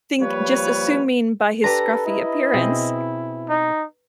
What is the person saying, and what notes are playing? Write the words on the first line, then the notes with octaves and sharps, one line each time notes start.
think just assuming by his scruffy appearance
F3 G3 A#3 B4 C#5
D4 G4 A4 B4 A#5
E4 D#5
B2 C4 G#4
D#4